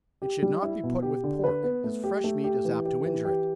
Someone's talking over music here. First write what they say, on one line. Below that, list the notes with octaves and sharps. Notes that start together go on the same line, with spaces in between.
It should not be put with pork, as fresh meat is apt to injure it.
G4
G3
E4
B2
G4
D3
B4
B3
A3
G4
A3
G4
E3
G4
E3
G4